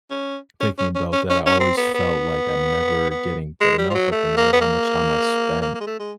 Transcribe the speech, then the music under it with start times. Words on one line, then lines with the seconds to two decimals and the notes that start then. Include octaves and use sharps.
thinking about that I always felt like I'm never getting good enough, like, no matter how much time I spent
0.11 C#4
0.61 C#4
0.78 C#4
0.95 C#4
1.13 C#4
1.30 C#4
1.46 C#4
1.60 C4
1.77 B3
1.94 B3
3.11 B3
3.61 G#3
3.78 G3
3.90 F3
3.95 F#3
4.12 A3
4.37 A#3
4.53 B3
4.61 A#3
5.62 A#3
5.75 A#3
5.81 G#3
5.87 A3
5.99 G#3